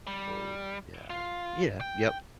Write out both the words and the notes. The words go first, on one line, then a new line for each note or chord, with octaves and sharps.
Oh yeah, yeah, yep,
G3
F4
G5